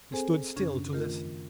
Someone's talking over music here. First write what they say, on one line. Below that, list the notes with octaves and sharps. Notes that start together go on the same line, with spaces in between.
He stood still to listen.
C4 G#4 A4 C5 G#5
F#2 C#3 C#4 D4 G#6
D#3 A3 F4 A#4